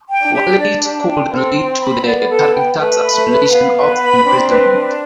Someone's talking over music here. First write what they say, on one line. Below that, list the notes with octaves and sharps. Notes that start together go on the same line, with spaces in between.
Wallace could relate to the character's isolation of imprisonment.
G5
D4
G4
D4 D5
G4
G5
C4 A4
G5
B5
B3 D5
A4
G5
A3 B4
B5
A3
B4
B3 F5
B4
B5
C4 D4
B4
D4